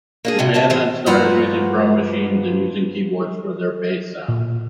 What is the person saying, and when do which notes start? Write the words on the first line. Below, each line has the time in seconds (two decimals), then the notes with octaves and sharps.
The band then started using drum machines and using keyboards for their bass sound.
0.25 A#3 D4 G#4
0.39 A2 C3 F#3 G3
0.54 D2 A#2 C#5 E5 A5
0.70 A2 E3 G#4 C5
1.06 G2 F3 F4 F#4 F#5 A#5
4.29 A#2